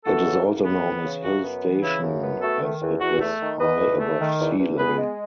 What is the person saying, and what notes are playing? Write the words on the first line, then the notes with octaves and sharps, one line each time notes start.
It is also known as hill station as it is high above sea level.
E3 F#4 A4
C#3
F#2
B3
E3
C#3
F#2 F#4
B3
E3
C#3 E4
F#2
B3
A3 F#4 A4
D#3
E2
E2 F#4
A3
D#3
E2 B4 D#5
E2
A3
D#3
E2
E2
B3 G#4 B4
G#3